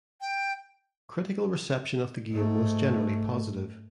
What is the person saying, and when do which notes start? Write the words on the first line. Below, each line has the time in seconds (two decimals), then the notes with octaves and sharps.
Critical reception of the game was generally positive.
0.21 G5
2.31 G#2 A3